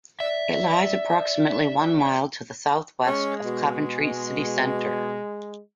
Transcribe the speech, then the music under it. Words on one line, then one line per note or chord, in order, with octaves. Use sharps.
It lies approximately one mile to the southwest of Coventry City Centre.
D5 E5
G#3 C#4
B2